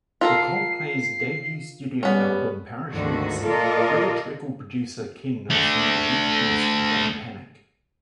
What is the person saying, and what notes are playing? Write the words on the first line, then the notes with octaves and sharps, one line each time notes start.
For Coldplay's debut studio album "Parachutes", British record producer Ken Nelson re-produced "Don't Panic".
F4 A4 A#4 C7
G3 B3 C#4
D2 G#2 D3 D#3 F3 F#4
A#2 F4 A4 A#4 D5 D#5
A3 D4